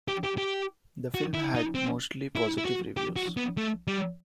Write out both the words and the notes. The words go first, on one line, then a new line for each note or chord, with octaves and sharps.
The film had mostly positive reviews.
G4
G4
G4
F#4
E4
D#4
C4
E4
E4
F#4
G4
F#4
B3
A3
G3